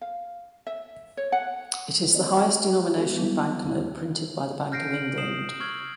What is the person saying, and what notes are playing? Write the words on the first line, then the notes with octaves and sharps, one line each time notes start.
It is the highest denomination of banknote printed by the Bank of England.
F5
E5
C#5
F#5
A#3 C4 C5 D5 D#5
G#3 B3 D4 F#4 G4 A4
F#3 G3 A#3 B3 E4
E2 G#3 E4
F6 G6 A#6 C7 D7
F6 F#7
D#6 C7 E7 F#7
C#6 E6 F6 G#6 F#7